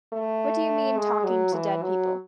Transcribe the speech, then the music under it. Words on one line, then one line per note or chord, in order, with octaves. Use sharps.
What do you mean talking to dead people?
A3
G#3
F#3
E3
F#3